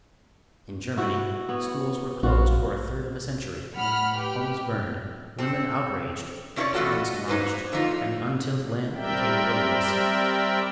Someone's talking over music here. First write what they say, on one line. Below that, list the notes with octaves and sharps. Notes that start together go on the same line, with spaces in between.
In Germany schools were closed for a third of a century, homes burned, women outraged, towns demolished, and the untilled land became a wilderness.
E4 F#4
B3 C#5
A#1 F4 F#4
A2 F#5 B5 F6
G4 B4
C4 A4
C3 C#4 E4 A4 C#5 D5
E3 A3 C4 F4 F#4 A4
D#5
A#3 D#4 B4 C5
F2 D3 F3 D#4 F4
G3 C4 A#4 D5 E5 G5